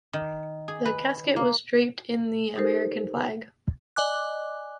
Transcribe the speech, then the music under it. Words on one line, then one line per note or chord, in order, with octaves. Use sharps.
The casket was draped in the American flag.
D#3
G#4
B4
A#3
D#4 G4 A4 A#4 C5
D5 D#5 G#5 D6 F#6